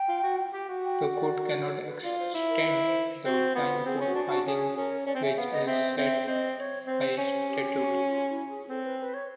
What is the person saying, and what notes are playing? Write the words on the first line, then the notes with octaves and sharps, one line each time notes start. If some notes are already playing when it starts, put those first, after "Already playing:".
The Court cannot extend the time for filing which is set by statute.
Already playing: G5
F4
F#4
G4
F#4
G5
D5
D5
C#5
B4
F4 D5
C5
E4
A#4
B4
C5
C4 F#4
B3 F4
C4 G#4
C#4
F#4
D4
F#4
D4
C#4 G#4
C#4 A#4
C#4 D5
C4
C#4 E5
B3 F5
D#5
C4 E5
C4 E5
C4 D#5
C#5
C4 C5
C#4
G4
G4
F#4
F4
E4
G#4
C4 A4
B4
B4
C#5